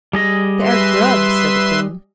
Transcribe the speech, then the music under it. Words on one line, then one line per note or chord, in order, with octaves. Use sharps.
"They are Grubs," said the Queen.
G3 G#4 D#5
B4 E5 C6